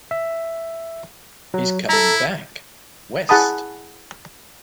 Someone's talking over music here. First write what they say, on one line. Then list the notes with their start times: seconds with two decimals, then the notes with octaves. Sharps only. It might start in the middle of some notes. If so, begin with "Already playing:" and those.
He's coming back, West!
0.11 E5
1.54 F#3
1.89 E4 A4 A#5
3.29 E4 G#4 F#5 A5 B5 D#6